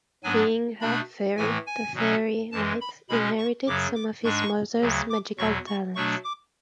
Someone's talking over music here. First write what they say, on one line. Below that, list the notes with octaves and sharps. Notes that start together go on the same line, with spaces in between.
Being half-faerie, the Faerie Knight inherited some of his mother's magical talents.
G#2 F#3 B3 D4 G#5
B2 A3 D4 B5
A2 E3 A3 G#5
G#5
B2 F#3 C#4
F#2 E3 G#3 A5
B5
B2 G#3 C#4 B5
C#6
F#2 C#3 F#3 D6
D6
G#2 G#3 D4 C#6
D2 C#3 F#3
D6
E2 B2 F#3 C#6
C#6
B2 F#3 A3 D4 C#6
D6